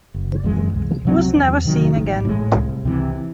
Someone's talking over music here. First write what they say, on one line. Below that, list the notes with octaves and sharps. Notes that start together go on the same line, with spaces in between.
He was never seen again.
F#1
F#2 E3 G#3
C2
C3 F#3 C4
E2
C3 D#3 F#3
A1
A2 G#3
C2
C3 E3